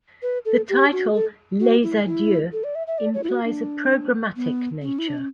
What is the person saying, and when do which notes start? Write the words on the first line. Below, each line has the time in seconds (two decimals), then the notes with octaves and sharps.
The title "Les Adieux" implies a programmatic nature.
0.22 B4
0.45 A4
0.69 G4
0.92 F#4
1.15 A4
1.60 F#4
1.83 E4
2.06 E4
2.53 A4
2.64 D5
2.75 E5
2.87 E5
2.98 D5
3.14 C#5
3.23 E4
3.29 F#4
3.45 D4
4.36 B3
4.82 C#4
4.99 E4
5.08 D4
5.18 C#4